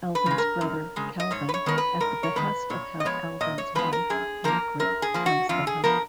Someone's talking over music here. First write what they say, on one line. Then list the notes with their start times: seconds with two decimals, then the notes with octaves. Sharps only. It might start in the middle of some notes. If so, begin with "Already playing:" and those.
Alvin's brother, Calvin, at the behest of Alvin's wife, Margaret, comes to help.
0.15 B4
0.26 C#3 G#3
0.38 A#4
0.61 F#2
0.96 C#3 G#3
1.20 D#5
1.31 G#2 C#5
1.49 B4
1.54 C#5
1.66 D#3 G#3 B3 A#4
1.78 B4
2.00 G#2 A#4
2.23 C#5
2.36 D#3 G#3 B3 B4
2.70 A#2 C#5
3.00 D#5
3.05 F3 G#3 B3 C#5
3.41 A#2 D#5
3.58 C#5
3.75 F3 G#3 B3 B4
3.93 A#4
4.10 F#2 G#4
4.44 F3 A#3 A#4
4.79 F#2 A#4
5.02 G#4
5.14 F3 A#3
5.26 F#4
5.49 F2 F4
5.67 G#4
5.84 F3 B3 A#4